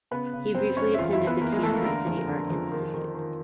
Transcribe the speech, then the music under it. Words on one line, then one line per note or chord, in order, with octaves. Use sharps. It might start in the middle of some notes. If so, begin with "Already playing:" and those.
He briefly attended the Kansas City Art Institute.
C#3 B3 B4
C#3
F#2 C4 C5
F#2 C#4 C#5
E5
E2 F4 F5
E4 E5
E2
B3 B4
E2 A#3 A#4
G#3 G#4
E2 A3 A4
A#3 A#4
D3 A#3 A#4
F2
D3
F2
D#3
D#3
D#3